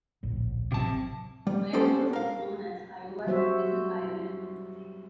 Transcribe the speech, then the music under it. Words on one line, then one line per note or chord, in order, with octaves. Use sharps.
Melrose is known as Iowa's "Little Ireland".
D1 A#1 A2
A1 C3 F#3 C4 A5
G3
B3 C#4 G4 A4 C5
A#4 F5
F#3 G3 F#4 C5 C#5 E5